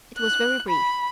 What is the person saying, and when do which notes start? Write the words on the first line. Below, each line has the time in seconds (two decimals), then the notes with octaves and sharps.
It was very brief.
0.18 F#6
0.69 B5